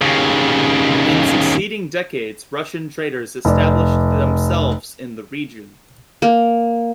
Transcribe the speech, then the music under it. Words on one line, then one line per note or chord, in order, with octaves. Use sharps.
In succeeding decades Russian traders established themselves in the region.
D#2 C#3
F1 D5
A#3